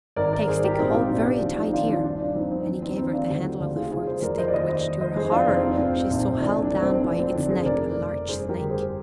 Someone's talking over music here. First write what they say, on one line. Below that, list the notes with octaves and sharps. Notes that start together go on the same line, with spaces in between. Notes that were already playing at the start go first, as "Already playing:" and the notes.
"Take stick, hold very tight here," and he gave her the handle of the forked stick which, to her horror, she saw held down by its neck a large snake.
G#1 A#4 D5
A#4 D5
G#1 G#4 C5
G4 A#4
A#1 C4 D#4
F4
D#4 G4
A#1 D4
D4
F3 D4
C4 D#4
D#2 D4 F4
D4 F4
G2 D4
D4
F3 C4 D#4
C4 D#4
D#2 D4
C4 D#4
D#2 C4 D#4
D4 F4
D2 D#4 G4
D2 D4 F4
F4 G#4
C3 F4 G#4
G#4 C5
F2 A#4 D5
C5 D#5
D5
D#2 C5 D#5
C5 D#5
D#2
C5 D#5
F2 G#4 C5
D4 F4
F1 C4 D#4
D#4
D4
G#2 C4 D#4
A#1
F1 D4
D4
F1
C4
F3 D4
C4
G1 D4
G#4 C5
F1 A#4 D5
F1
G2 G#4 C5
G4 A#4
G1
G#4 C5